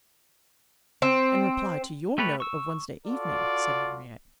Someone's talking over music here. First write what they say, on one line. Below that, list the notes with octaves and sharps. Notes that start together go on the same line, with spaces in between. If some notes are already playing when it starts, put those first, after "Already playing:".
"In reply to your note of Wednesday evening," said Henriette.
C4
A3 G4 A4 B4 C#5
C#6 E6
F4 F#4 A4 D5